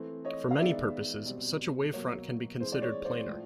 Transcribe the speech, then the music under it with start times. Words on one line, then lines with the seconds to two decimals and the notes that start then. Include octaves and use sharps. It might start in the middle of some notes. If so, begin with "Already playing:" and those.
For many purposes, such a wavefront can be considered planar.
Already playing: E3 A3 C4
0.25 C#5 D#5
0.51 F5
0.58 D#3 G#3 B3 D5 E5
1.25 B2 G3 C4
1.93 B2 F#3 A#3 C#5
2.60 E3 G#3 C4 C5
2.72 D5
2.82 C#5
3.05 C5 D5
3.28 A2 F3